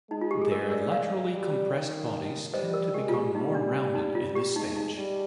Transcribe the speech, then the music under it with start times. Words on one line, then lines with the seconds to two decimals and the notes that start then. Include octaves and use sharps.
Their laterally compressed bodies tend to become more rounded in this stage.
0.11 G#3 D#4
0.21 F4
0.31 G4
0.42 G#4
0.52 A#4
0.71 A#4 D5
0.92 D5 F5
1.32 G3
1.73 D#3
2.54 G3 C5 D#5
2.74 A#4
2.94 G#3 G4
3.09 F4
3.14 G4
3.34 G3 D#4
3.55 D4
3.95 D#4
4.15 F4
4.35 G4
4.56 G#3 D#4
4.76 D#4
4.96 G3